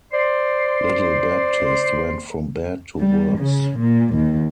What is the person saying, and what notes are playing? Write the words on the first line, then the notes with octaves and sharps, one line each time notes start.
Little Baptiste went from bad to worse.
C5 D5 C6
G3
C#3
A#2
D#2